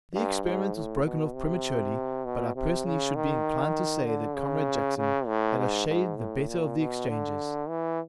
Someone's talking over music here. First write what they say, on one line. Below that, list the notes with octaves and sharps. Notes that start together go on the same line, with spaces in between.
The experiment was broken off prematurely, but I personally should be inclined to say that Comrade Jackson had a shade the better of the exchanges.'
G2
G#2
A2
B2
C3
B2
C3
C#3
D#3
D3
C#3
C#3
A2
G#2
G#2
A2
A#2
B2
D3
E3